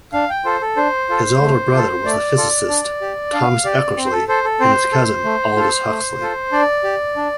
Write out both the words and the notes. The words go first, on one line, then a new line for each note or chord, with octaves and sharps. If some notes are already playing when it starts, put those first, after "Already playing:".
His elder brother was the physicist Thomas Eckersley; and his cousin, Aldous Huxley.
D4 F5
G5
F4 A4 C5
A4
D4 C5
F4 A4
A3
F4 A4
A3 D5
F4 A4
D4
G4
D4 F5
G4 D5
C4
C5
A4
A4 C5
A4
C4 C5
A4
A3
F4 A4
A3
F4 A4
D4 D5
G4
D4